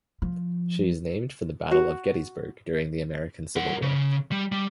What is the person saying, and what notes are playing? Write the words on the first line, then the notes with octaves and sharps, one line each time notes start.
She is named for the Battle of Gettysburg during the American Civil War.
F3
F#4
A#4 F#5
C#3
G3
G3